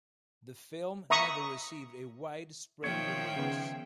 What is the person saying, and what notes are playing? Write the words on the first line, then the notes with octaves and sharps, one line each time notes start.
The film never received a widespread release.
E5 A#5 B5 C#6 D#6
D#3 F3 C#5 E5 G5
C#3 B3